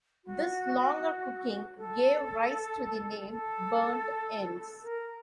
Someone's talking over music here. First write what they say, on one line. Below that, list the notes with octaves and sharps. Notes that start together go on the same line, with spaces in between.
This longer cooking gave rise to the name "burnt ends".
F#4
A4
A4
A#4